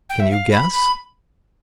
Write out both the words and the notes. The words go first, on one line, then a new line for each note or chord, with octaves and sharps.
Can you guess?
G5
E5
F5
B5
B5